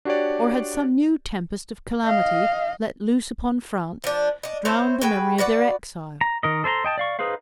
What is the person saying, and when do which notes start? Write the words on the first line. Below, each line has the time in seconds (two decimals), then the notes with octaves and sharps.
Or had some new tempest of calamity, let loose upon France, drowned the memory of their exile?
0.05 D4 F#4 G4 C#5 D5
2.04 D#5 F5
4.04 F3 D4
4.43 D4 D#5
4.65 C4 E4 C5 C#5
5.01 F#4 G#4 B4 G5
5.38 F#4 B4 D5 F#5
6.21 A#5
6.43 D#3 A#4 D#5
6.64 A4 C5 C#5 A#5 C6
6.84 D#5 G5 A5
6.98 D5 F5 C#6
7.19 D#4 G#4 B4 C5 F5